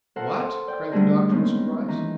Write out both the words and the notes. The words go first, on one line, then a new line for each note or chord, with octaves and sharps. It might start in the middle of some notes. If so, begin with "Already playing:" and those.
"What?" cried the doctor in surprise.
A4 A#4 C5 F5 F#5 C6
D5 G5
D3 G3 A3 D4 G#4 A#4
D#3 G#3 A#3 B3 C#4 D#4
D#3 E3 A#5